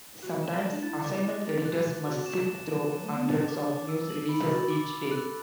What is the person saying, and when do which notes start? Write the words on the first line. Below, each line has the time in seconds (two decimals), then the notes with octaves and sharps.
Sometimes, assignment editors must sift through hundreds of news releases each day.
0.23 F#4 F#6
0.43 E7
0.63 A5
0.72 D4
0.83 E4 A6
1.04 D6
1.24 D6
1.45 A6
1.65 F#6
1.85 F#6
2.05 F#4 D6
2.26 E7
2.46 A5
2.67 D6
2.80 E3
2.88 F#3 A5
3.04 A3 A5
3.15 B3
3.28 D4 A6
3.48 D6
3.69 D6
3.89 E6
4.09 F#7
4.29 B5
4.49 F#4 A6
4.70 D6
4.90 D6
5.11 A4 F#6